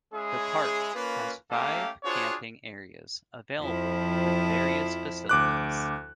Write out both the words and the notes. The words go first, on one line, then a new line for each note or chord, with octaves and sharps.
The Park has five camping areas available with various facilities.
G#3 C#4 E4 G#4
A#3 C#4 F4 B4
A3 A#3 C#4 G4 A4 F5
D4 F4 F#4 G#4 C5 C#5
F2 F3 E4
D2 D6 F#6